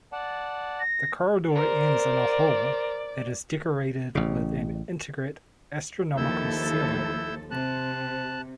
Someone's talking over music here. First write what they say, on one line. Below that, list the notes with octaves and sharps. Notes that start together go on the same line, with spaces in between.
The corridor ends in a hall that is decorated with an intricate astronomical ceiling.
D5 F#5 A5
A#6
A#4 C5 D5
A1 C#3
D#2 F3 E4 A4 E6 G6
C3 A5 F#6